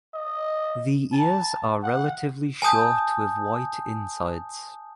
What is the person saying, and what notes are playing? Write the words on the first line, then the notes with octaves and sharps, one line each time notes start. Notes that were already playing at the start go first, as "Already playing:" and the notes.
The ears are relatively short with white insides.
D#5
A5
F#5
G#5 A5 D#6 G6